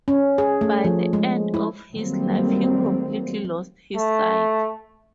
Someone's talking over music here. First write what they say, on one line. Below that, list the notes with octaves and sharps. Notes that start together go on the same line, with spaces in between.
By the end of his life he completely lost his sight.
C#4
G#4
A3
F3
G#3
E4
D#3 F#3 G3 A3 A#3 C4
A3